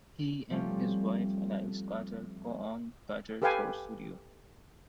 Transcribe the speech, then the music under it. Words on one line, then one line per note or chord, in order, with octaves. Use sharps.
He and his wife Alice Carter co-own Carter Thor Studio.
F3 G3 A3 C4 C#4 F4
G4 A4 B4 F5 G5 G#5